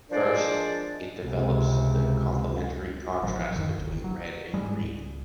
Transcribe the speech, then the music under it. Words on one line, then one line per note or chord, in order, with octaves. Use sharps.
First, it develops the complementary contrast between red and green.
F3 G#3 D4 A#4 C5 D5
C#2 C3 G#3
A1 F3 F#3
D1 F#2 D#3
G1 D#2
F#3
G#2 G3 G#3
C#2